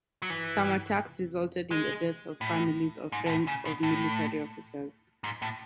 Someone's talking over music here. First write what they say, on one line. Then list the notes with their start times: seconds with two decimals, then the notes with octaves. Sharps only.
Some attacks resulted in the deaths of the families or friends of military officers.
0.22 F#3
0.30 E3
1.71 G#3
2.41 A2
3.12 G#2
3.26 B2
3.30 A2
3.47 C#3
3.65 B2
3.83 A2
5.24 G#2
5.42 A2